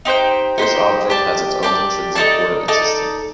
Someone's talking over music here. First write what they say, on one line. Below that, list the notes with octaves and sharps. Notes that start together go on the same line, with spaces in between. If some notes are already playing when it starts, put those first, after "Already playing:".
This object has its own intrinsic coordinate system.
D#4 G4 C5 G5
D#4 G4 C5 G5
G4 D5 A5
G4 D5 A5
D#4 A4 D5 A5
D#4 A4 D5 A5